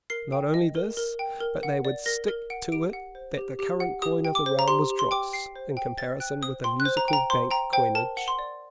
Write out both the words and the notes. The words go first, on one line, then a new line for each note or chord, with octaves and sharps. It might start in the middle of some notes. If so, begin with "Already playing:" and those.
Not only this, but they would stick to it that the current coin of the realm was dross in comparison with the Musical Bank coinage.
A#4 C7
G5
D#5
A#4
A#4
G5
A#4
F#5
D5
A#4 A#6
A#4
F#5 D7
G4 D7
F#5
C5
G4
G4
F#5
G4 D#6
G5
D6
C5
A#5
G4 C6
G4
C6
G5 D6
G5 C7
C5
G5
C5 A6
G5 F#6
C5 D#6
G5 C6
F#6
C5
A#5
G5 A#5
C5 C6
G5 A#5
C5 G5
A#4 A5
F#5
C6
D5